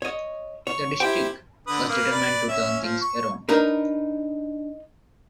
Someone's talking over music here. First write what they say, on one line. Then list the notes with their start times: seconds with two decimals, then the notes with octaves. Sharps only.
The District was determined to turn things around.
0.02 C#5 D#5
0.67 C#5 C#6
1.00 E4 G4 C5 G5
1.67 D3 B4 D#6
1.89 A#3 B4 B5
2.12 B4 D5
2.49 C#4 E5
2.82 F3
3.02 C#6
3.49 D4 D#4 A#4 B4